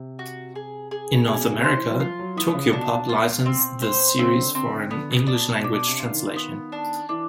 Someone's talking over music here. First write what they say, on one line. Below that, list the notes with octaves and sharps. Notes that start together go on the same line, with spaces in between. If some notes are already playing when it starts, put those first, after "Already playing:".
In North America, Tokyopop licensed the series for an English-language translation.
Already playing: C3
F#4
G#4
G#4
B2 G#4
C#3
C3
C5
E3
F#3
F3 F4
F#3
E3 B3
C#3
A#2
B2 D4
F4
C4
C5
C#3 C4
D3
C4
D3
D3 B3
B2
B2 D4
B2
B2 D4
C3
F4
D#3
B3
D4
E3 D4